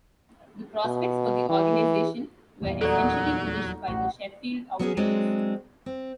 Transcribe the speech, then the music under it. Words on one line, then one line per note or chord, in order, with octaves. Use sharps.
The prospects for the organisation were essentially finished by the Sheffield Outrages.
B2
E3
D#1 E2
F#3 D#4 F#4 A4 A#4 D5
A1 F#4
F#3 B3 C#4 F4 G#4
F#3 G#3 C4 D4
C4